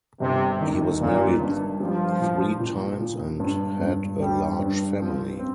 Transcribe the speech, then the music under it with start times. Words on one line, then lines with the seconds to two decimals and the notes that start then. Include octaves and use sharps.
He was married three times and had a large family.
0.20 G1 C3
0.61 D#3
1.00 G1 A#2
1.41 G2
1.80 F3 G3
2.20 A#2
2.60 A#2
3.00 A#2
3.40 G2
3.80 G2
4.20 G2 G3
4.59 G2
4.99 F3 C4
5.39 C4